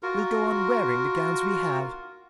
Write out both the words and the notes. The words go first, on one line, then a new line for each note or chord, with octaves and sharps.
We'll go on wearing the gowns we have.
F4 F#4 A#4